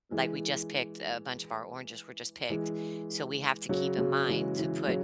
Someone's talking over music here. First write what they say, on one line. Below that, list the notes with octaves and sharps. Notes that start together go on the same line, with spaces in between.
like, we just picked a bunch of our oranges were just picked. So, we have to keep in mind to put
E3 G#3
E3 G#3
C#3 F#3
C#3 F#3
E3 G#3
E3
C#3 F#3